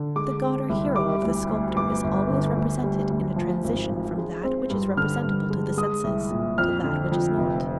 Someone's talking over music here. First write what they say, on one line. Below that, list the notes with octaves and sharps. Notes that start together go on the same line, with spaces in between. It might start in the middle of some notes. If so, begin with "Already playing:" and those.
The god or hero of the sculptor is always represented in a transition from that which is representable to the senses, to that which is not.
Already playing: D3
G#3 D6
C4
C2
G3 D6
D2
D2
G1 D6
G1
D3
D2
G3
D2
F3
G#1
F3
G#3
C4
G2
D3 F6
G2
G#3
G#3 D#6
C2
A#2
F2 F6
D3
F2
F1